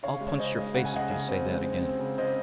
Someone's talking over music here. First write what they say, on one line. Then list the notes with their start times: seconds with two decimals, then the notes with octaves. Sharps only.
I'll punch your face if you say that again!
0.03 C#3 C#5 F5
0.20 G#3
0.28 C#5
0.38 C#3 C5 D#5
0.57 G#3
0.74 C#3 F#5
0.85 G#5
0.92 C#3 D#5 F#5
1.10 C#3
1.28 C4
1.45 G#3
1.64 C4
1.82 C4
1.99 C#3
2.18 C#3 C5 D#5